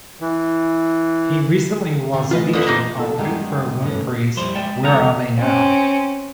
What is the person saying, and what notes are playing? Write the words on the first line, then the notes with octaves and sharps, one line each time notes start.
He recently was featured on Oprah Winfrey's Where are they now?
E3
D3 D#3
E3 A3 F4 B4 D#5
F2 D3 A3 E4 C5 D#6
D#4 C5 D6
A#2 D#3 F#3 D4 D#4 A4
F#2 D#3 G3 G#3 B3 G4
D2 G2 D3 C#4
F2 G3 E4 C5 C6
G#3 D5 E5 G5
E2 G#3 D#4 A4 A#5
C4 C#4